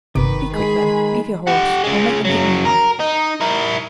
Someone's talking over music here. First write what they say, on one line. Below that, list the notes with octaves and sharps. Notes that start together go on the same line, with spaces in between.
"Be quick, then; leave your horse, or make them give me one."
G1 C3 D#3 B4 D6
G#3 G#4 B5
G4 F#5
C#3 G#3
C#3 F#3
A#4
D#4
E4 A#4